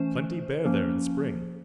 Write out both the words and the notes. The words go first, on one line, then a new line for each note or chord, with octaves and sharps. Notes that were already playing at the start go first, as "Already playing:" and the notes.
"Plenty bear there in spring!"
Already playing: E3 A3 C#4 C5
F3 A#3 C#4